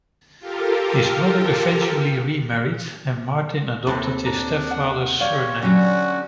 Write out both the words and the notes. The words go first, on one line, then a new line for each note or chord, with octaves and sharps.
His mother eventually remarried and Martin adopted his stepfather's surname.
F4 G4 A4 A#4
D#2 A2 C3 C4 A4 B4
D4 A#5
F#5
G4 C#5 D5 F5
D3 F#3 G3 C#4 F#4